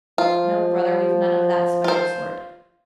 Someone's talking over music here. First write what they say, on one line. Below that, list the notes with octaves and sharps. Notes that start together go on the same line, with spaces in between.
"No, brother, we've none of that special sort."
F3 F4
F4 C5